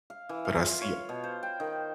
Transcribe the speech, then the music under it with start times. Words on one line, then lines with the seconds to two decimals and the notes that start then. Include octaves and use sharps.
But I see
0.10 F5
0.29 E3
0.45 F5
0.60 F4
0.81 C#5
1.09 B2
1.24 C5
1.43 G5
1.60 D#3